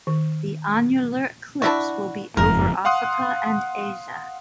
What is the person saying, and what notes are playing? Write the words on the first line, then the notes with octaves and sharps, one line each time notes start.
The annular eclipse will be over Africa and Asia.
D#3
D4 E4 F#4
F#1 F2 G#2 A#4
F5 F#5 C6 D#6 F#6